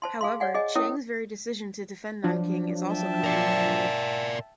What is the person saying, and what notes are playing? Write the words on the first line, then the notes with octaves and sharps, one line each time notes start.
However, Chiang's very decision to defend Nanking is also controversial.
C5 A5 C6
G#4 F5 C6
C#5 D5 F#5 G#5
G#4 D#5 G#5
C#4 E4 A#4 C#5 G5 D#6
F3 F#3 D4
E5 G5 A5
A#4 D5